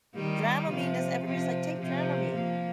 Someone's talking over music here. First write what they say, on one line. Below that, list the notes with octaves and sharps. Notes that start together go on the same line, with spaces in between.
Dramamine does everybody's like, "Take Dramamine."
D#3 G3
C3 F3
C3 F3
C3 F3
F3 A#3